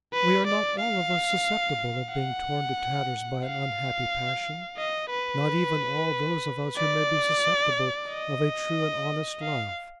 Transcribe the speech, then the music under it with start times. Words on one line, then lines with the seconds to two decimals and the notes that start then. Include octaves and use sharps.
We are not all of us susceptible of being torn to tatters by an unhappy passion; not even all those of us who may be susceptible of a true and honest love.
0.13 B4
0.46 D5
0.80 F5
2.12 F#5
3.45 F5
4.77 D#5
5.11 B4
6.76 D5
8.09 D#5
9.42 F5